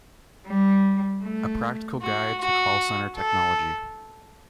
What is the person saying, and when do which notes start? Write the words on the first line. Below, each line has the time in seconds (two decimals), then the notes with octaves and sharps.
A Practical Guide to Call Center Technology.
0.47 G3
1.23 A3
2.02 F#4
2.41 F#4
3.17 A4